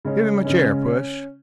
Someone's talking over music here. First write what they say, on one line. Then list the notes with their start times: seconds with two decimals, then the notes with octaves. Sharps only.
"Give him a chair, Puss."
0.05 C#3 G#3 C#4
0.45 C#3 G#3 C#4
0.86 C#4